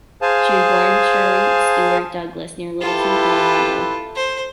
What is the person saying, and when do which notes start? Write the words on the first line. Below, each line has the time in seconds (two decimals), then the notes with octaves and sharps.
She was born Shirley Stewart Douglas near Littleton, Colorado.
0.22 G#4 C5 F5 G#5 A5
2.81 E4 F4 G4 A4 B4
4.16 C5